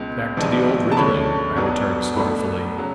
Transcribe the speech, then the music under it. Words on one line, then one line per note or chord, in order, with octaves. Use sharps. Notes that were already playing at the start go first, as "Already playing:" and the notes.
"Back to the old riddling!" I returned scornfully.
Already playing: C#2 B2 G#3
G#1 G#2 F3 B3 D4
A5
D2 D3 G#3 C#4 B5
B1 B2 F#3 B3 D4
B1 B2 A3 D4 B5
C#3 F#3